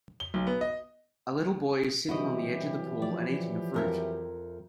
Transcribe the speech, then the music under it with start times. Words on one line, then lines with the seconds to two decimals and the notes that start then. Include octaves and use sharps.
A little boy is sitting on the edge of the pool and eating a fruit.
0.20 G7
0.34 B1
0.47 B3
0.61 D#5
2.08 C2 E3 F#3 E4 F#4 G4 D#5
3.02 F3 D5
3.74 F2 A#4 E5